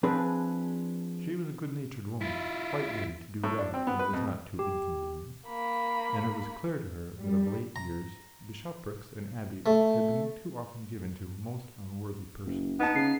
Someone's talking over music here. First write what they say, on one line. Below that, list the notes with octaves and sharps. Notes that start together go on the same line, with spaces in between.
She was a good-natured woman, quite ready to do right when it was not too inconvenient, and it was clear to her that of late years bishoprics and abbeys had been too often given to most unworthy persons.
F3 C4 D4 G#4 B4
E4 F4
A2
D4
C4
B3
B4
F2
G4
A#3 B5
G3
A#5
A3
F#1
B3 D#4 A5
C#3 C7